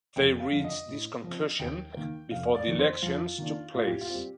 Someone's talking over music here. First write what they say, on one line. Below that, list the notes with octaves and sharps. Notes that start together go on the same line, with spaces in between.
They reached this conclusion before the elections took place.
F1 G5
F5
F2 D3
D#5
A2
F3 C4
D#2 G5
D#3 A#3
F1 F5
D5
F2 D#3 A3
C5
F2 F4
D#3 A#3 D4
A2 F4
G4
F4
G3 C4 G4